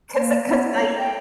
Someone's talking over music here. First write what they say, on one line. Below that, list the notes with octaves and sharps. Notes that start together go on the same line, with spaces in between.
'Cause I 'cause I,
A#3
B3
C#5
G5